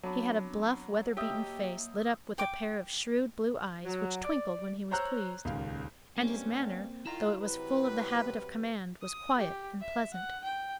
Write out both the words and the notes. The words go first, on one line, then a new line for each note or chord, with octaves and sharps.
He had a bluff weather-beaten face, lit up with a pair of shrewd blue eyes which twinkled when he was pleased; and his manner, though it was full of the habit of command, was quiet and pleasant.
F#3 B3 C4 D4 A5 B5 D6
A#3 G4 D#5 E5 G5
G5 D6
F#3
D5
C5 C#5 A#5 E6 F#6 G6
D#1 C#2 D#3 F5
G2 A#3 C4 C#4
D#3 E4 F4 A#5
C3 F#3 B4
D#6
G4
E5
F#5
G5